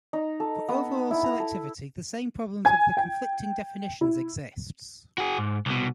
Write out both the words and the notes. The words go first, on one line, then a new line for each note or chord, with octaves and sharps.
For overall selectivity the same problem of the conflicting definitions exists.
D#4
A4
B3
E4
A#5
A4
G#5 G#6
G5
E4
F#4 G#4
G#2
C2 B2